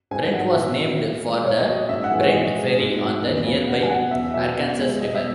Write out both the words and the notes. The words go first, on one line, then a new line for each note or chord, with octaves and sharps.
Brent was named for the Brent Ferry on the nearby Arkansas River.
G#2 G#5
F#3 F#5
A#2 E5
F#3
A#2
G#3
A#2 C#5
F#3 D#5
G#2 E5
F#5
E3 G#3
C#5
A#2 D#5
G#3
G#2
F#3
E2
C#3 F#3
B2 F#5
G#5
F#3 F#5
E2 E5
B2 F#3 E5
B2
G#3
B2 D#5
E5